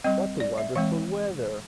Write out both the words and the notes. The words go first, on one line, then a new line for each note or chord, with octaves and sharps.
What a wonderful weather!
G3 C4 D#5
D5
E5
E3 G#3 C4 F5